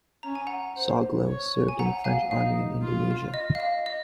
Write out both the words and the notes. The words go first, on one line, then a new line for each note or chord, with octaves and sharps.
Soglo served in the French army in Indonesia.
C#4 A#5
G#5
F#5 A#5
C5
C#5
G#5
F#5 A#5
F5 G#5
D#4 F5
F4
D#5
F5
D#5
D#5